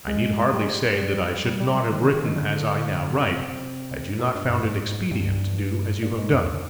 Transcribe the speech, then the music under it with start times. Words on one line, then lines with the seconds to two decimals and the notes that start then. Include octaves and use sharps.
I need hardly say that I should not have written as I now write, had you not found it expedient to do as you have done.
0.08 G#3
0.53 G3
0.62 G#3
0.71 G3
1.45 G3
1.60 G3
1.91 D#3
2.02 D#3
2.13 D#3
2.25 D#3
2.36 D3
3.28 C3
4.19 A#2
4.35 G2
4.50 G2
4.59 A#2
4.65 G#2
5.11 G2
6.03 A#2
6.18 G#2
6.33 F2